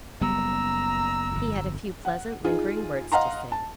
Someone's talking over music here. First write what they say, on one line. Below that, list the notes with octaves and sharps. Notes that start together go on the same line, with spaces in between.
He had a few pleasant, lingering words to say.
F#1 G3 B3 A#5 E6
G1 F2
F#5
D#4 F4 G#4
D#5 F5 F#5 A#5 C6
A5